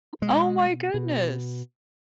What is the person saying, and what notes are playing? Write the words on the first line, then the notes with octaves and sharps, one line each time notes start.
Oh, my goodness.
B2 G#3
B2